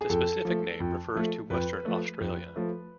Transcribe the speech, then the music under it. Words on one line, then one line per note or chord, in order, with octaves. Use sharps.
The specific name refers to Western Australia.
G#4
F2 A4
F3 A3
F2
F3 A3
F2 B4
F3 A3
F2
F3 A3